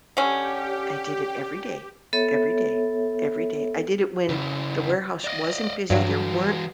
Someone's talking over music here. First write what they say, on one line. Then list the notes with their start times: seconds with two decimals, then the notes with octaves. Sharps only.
I did it every day every day every day, I did it when the warehouse wasn't busy, there weren't
0.17 D3 C#4 G4
2.13 B3 A4 C#5 E5
4.29 C#3 E4
5.24 D5 D#5
5.90 G2 E3 F#3 F#4